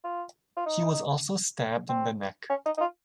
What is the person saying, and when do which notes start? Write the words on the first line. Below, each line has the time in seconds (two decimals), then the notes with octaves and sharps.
He was also stabbed in the neck.
0.04 F4
0.57 F4
0.66 D#4
1.89 C4
2.50 C#4
2.66 D#4
2.77 D#4
2.81 F4